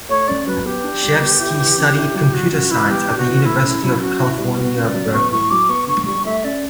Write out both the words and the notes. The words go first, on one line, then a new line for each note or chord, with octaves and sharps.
Chevsky studied Computer Science at the University of California Berkeley.
A3 C#5
C#4 D5
F#3 B4
B3 G4
D4
G3
B3
E4
E3
C#4
E4
F#3
G3 F#4
C#3 F#4
E3 E4
B3 G4
D4
F#4
E3
A3 E4
C#4
F#3
C#4 F#4
E4
G3
B3 F#4
C#3
D5
F#3
B3 C#6
A2 C#6
F#3 D6
B3 C#6
D3 C#6
G3 C#6
A3 E5
C#4 D5